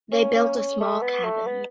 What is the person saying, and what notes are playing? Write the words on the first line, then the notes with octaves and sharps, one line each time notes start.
They built a small cabin.
C#4
C#4
C#4
A3
B3
A3
B3